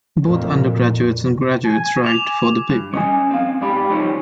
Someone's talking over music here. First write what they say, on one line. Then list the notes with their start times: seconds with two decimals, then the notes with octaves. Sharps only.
Both undergraduates and graduates write for the paper.
0.23 F2 A#2
1.65 G#5
2.04 D6 F7
2.69 G2
2.93 C#4 D#5 G#5
3.31 C4 F5
3.61 G#2 G3 D5 B5
3.89 C#2 F3 D#4 C5 C#5